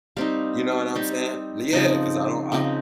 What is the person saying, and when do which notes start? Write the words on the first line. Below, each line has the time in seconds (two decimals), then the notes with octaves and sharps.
You know what I'm saying? L yeah, 'cause I don't I
0.17 G3 C4 D#4 F5
0.95 G3 C4 D#4
1.73 C#3 F3 C4 D#4
2.52 C#3 F3 C4 D#4